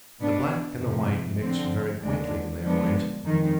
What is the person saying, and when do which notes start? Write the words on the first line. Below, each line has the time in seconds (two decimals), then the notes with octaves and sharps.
The Black and the White mix very quaintly in their ways.
0.19 B2 B3 D4
0.80 F2 C3 F3
1.41 D3 F3 C4
2.01 D#2 D3 G#3 D4
2.63 D3 F3 G#3 B3 D4
3.23 F2 D#3 G#3